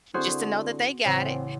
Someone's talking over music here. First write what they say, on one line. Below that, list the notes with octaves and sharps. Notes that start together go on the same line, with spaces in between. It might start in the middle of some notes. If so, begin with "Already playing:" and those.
just to know that they got it,
D3 C4 E4 F#4 G#4 C5
A1 C#3 C4 C#5 F#5 C6